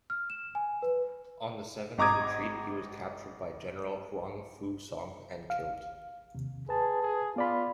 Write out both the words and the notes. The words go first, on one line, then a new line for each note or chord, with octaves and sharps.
On the seventh retreat he was captured by general Huangfu Song and killed.
F6
E7
G#5
B4
G#1 D#5 A#5 D6 D#6 G#6
F5
D#2 C3
G#4 B4 A5
G#4
B3 F4 D5 B5